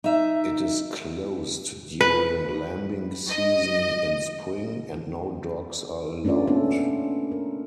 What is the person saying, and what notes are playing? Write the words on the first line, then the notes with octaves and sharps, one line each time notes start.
It is closed during lambing season in spring, and no dogs are allowed.
D#4 E5
B4
D#5
A3 C#4 D4 F4 D5
A#3 B3 C#4 D4 A4
A#4